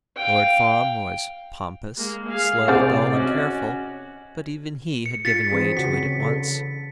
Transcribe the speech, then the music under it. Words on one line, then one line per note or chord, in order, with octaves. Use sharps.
Lord Fawn was pompous, slow, dull, and careful; but even he had given way to it at once.
F5 G5
G#3 A#3
G#4 F5
C3 G#4 C5 D5 F#5 A6
C#4 F#4 D#5
C#7
F4 A6 B6 C#7
E3 C4 G#4
C#3 F#4 B6
C#3 A4